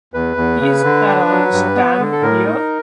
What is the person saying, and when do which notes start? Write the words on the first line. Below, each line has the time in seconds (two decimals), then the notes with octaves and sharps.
Is Aaron Stamm Here?
0.14 E2 B4
0.37 E2
0.60 C#3
0.83 D3
1.06 D4
1.30 F#3
1.53 G2
1.75 B3
1.99 D3
2.12 A4
2.22 A2 A#4
2.46 D#4